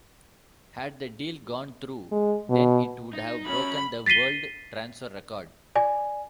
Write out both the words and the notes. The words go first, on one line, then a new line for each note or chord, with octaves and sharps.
Had the deal gone through, then it would have broken the world transfer record.
G#3
B2
D#4
F#3 C#4 B5
A6 B6 C7 D#7 G7
D5 G#5